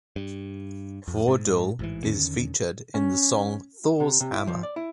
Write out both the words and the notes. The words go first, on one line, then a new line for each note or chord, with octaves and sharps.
Vordul is featured in the song Thor's Hammer.
G2
F2
G#2
A1 G#2 E3
E2 D3 D#3 C#4
C#4
C3
C3
E4
F3
D5
E4